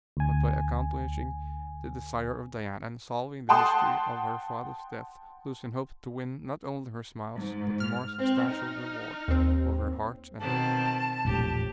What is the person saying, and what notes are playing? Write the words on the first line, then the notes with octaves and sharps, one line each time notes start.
But by accomplishing the desire of Diana, and solving the mystery of her father's death, Lucian hoped to win not only her smiles but the more substantial reward of her heart and hand.
D2 G#5
F#5 G5 A5 C6 D#6 F#6
G#2
F6
C4
D#4
D#2 C4
B2 D#3 C4 A5
E1 A#1 A2 G4